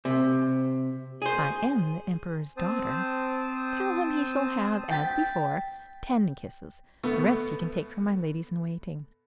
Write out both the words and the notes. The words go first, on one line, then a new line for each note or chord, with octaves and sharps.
'I am the Emperor's daughter! Tell him he shall have, as before, ten kisses; the rest he can take from my ladies-in-waiting.'
C3
G#4 C5
C4 C5 A5 D#6
G5 A6 B6
B2 A3 B3